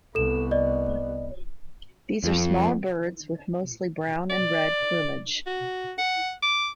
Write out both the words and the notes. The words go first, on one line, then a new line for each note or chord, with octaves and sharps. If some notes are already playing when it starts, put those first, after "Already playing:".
These are small birds with mostly brown and red plumage.
C2 B3 A4 E7
D5 D#5
F2
D5
F#4
F#5
D6